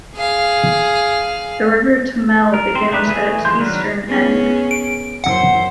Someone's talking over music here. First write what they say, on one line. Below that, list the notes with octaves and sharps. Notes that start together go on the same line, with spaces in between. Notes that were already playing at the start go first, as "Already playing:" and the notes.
The River Tummel begins at its eastern end.
G#4 F5
A#4
C4 C5
A3 D4 D#4 G4 B4
E3 A3 G#4
F3 G#3 C6 G6
D#3 F#3 D4 A#4 B4
B3 C#4 G#4
D7
F#2 E4 C5 F#5